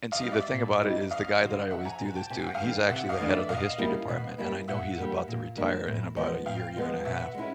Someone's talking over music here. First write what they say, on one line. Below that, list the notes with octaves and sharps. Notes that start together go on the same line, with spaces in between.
And see, the thing about it is the guy that I always do this to, he's actually the head of the history department, and I know he's about to retire in about a year, year and a half,
D#5 F5
G3 C4 D#4
D5 E5
A#2
G3 C4 D#4
F2 D#5 F5
D3 F#3
F2 E5 F#5
G#5 A#5
D3
F#3
G5 A5
C3 G#5
G5
F#5
F5 G5
E3 A3 D4
C3 E5 F#5
D#5 F5
E3 A3 D4
D5 E5
B2 D#5 F5
G3 A#3 C#4 E4
B2
G3 A#3 C#4 E4
A#2 E5 F#5
G3 A#3 D4
A#2
G3 A#3 D4
A2
F3 G#3 B3
A2 F5 G5
F3 G#3 B3
B2 E5 F#5
G#3 C#4 E4